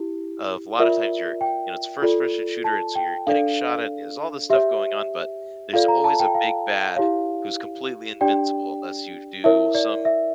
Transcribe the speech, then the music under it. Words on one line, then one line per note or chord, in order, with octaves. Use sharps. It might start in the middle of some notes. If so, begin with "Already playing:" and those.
of a lot of times you're, you know, it's first-person shooter, and, so, you're getting shot at it, and there's all this stuff going on, but there's always a "big-bad" who's completely invincible unless you do some
Already playing: E4 G4
F4 A#4 D5 E5
G5
F4 A4 D5
A5
G5
D4 A4 D5 F5
G4 C#5 E5
F4 A4 D5 F5
A#5
A5
G5
F5
E4 G4 C#5 F5
D4 G4 D5 G5
E4 A#4 C#5 E5
D5
E5